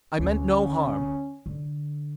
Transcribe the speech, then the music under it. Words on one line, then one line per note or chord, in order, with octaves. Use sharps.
I meant no harm.
D2 C#4
D3